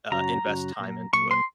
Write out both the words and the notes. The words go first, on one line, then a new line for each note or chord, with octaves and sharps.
uh, invest time into it.
F#2 C#3 F#3 C#4 F#4 A#5
F#2 C#3 F#3 C#4 F#4
A#2 F#3 A#3
A#2 F#3 A#3 C#6
C6